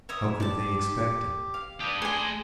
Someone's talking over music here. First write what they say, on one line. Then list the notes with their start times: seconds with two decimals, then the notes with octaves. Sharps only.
How could they expect it?
0.09 C#5 E5 D#6
0.40 G4 D5 A5
1.54 F5
1.81 D4 G4 B4 D#6
2.02 A3 G#4 G#5 C6